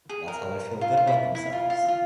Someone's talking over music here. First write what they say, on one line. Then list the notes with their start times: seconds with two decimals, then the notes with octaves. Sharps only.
That's how they feel good about themselves.
0.09 G#4
0.28 A#4
0.81 F4
0.97 F4
1.07 E4
1.35 E4
1.53 F4
1.70 F4
1.88 F4